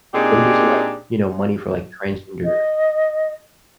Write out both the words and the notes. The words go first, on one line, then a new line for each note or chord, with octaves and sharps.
they were using, like, you know, money for, like, transgender
A#2 C4 D4 D#4 G4 G#4
D#5